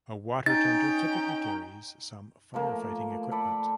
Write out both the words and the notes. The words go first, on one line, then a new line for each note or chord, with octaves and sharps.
A water tender typically carries some fire fighting equipment.
C#4 D#4 G5 A6
F3 A3 A#3
A4 D5 B5